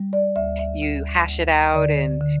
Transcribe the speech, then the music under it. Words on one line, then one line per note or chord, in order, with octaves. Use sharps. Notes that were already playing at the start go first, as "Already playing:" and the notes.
You hash it out, and
Already playing: G3
D5
D2 E5
E5
D2
D2
D3 D5
D3